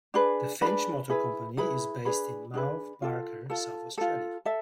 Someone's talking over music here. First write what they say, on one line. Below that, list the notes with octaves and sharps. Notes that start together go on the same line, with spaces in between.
The Finch Motor Company is based in Mount Barker, South Australia.
D4 G#4 B4
D4 G#4 B4 B5
E4 G#4 B4
E4 G#4 B4 B5
D4 G#4 B4
D4 G#4 B4
F4 A4
F4 A4 A5
F4 A4
A4 E5